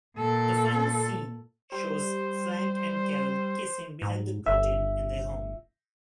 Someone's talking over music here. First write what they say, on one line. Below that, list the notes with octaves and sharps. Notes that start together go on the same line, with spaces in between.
The final scene shows Frank and Carol kissing behind the curtain in their home.
A#2 A4
G3 C5
G#2
G1 E5